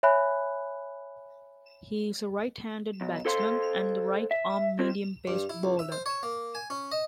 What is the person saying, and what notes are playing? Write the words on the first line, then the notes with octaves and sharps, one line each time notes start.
He is a right-handed batsman and right-arm medium-pace bowler.
C#5 E5 G#5 B5 F#6
B1
A4 C5 F5 C6
E5
C4 F4 C5
G2
E4
C#2
E5
C5
C#5
A#3
G#5
C#4
D#5